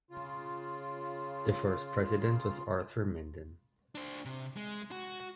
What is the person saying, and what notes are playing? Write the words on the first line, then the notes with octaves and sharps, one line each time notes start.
The first President was Arthur Minden.
C#3 F4
D4 C5
C3
G#3
F#4